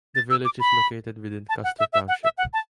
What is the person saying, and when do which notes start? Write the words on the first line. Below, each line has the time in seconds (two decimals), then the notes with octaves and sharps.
The village is located within Custer Township.
0.15 A6
0.30 E6
0.45 D6
0.60 B5
1.49 A5
1.64 F#5
1.79 E5
1.93 E5
2.08 F#5
2.23 E5
2.38 F#5
2.53 A5